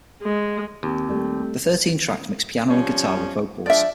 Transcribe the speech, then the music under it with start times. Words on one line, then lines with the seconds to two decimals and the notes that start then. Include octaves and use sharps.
The thirteen tracks mix piano and guitar with vocals.
0.23 G#3
0.83 D#2 C4
1.09 G3 A3
2.70 F3 G3 C#4
3.66 F3 G#3 D4 D5 E5